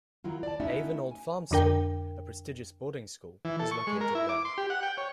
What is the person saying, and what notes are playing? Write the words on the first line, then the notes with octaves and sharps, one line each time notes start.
Avon Old Farms School, a prestigious boarding school, is located there.
D#3 F#3 E4 F4
D5 A5
A3 C#4 D#4 E4 F#4 E5
G#5
F2 D3 D4 A#4 G5
E3
A4
C#6
G#3
A#4
E4
D6
C6
G4
F#5
G5
C#5